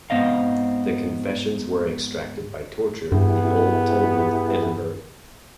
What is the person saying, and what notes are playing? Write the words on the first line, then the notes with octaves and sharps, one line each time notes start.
The confessions were extracted by torture in the Old Tolbooth, Edinburgh.
G#2 D#3 B3 C4 D#5 F5
G2 B3 E4 G4 G#4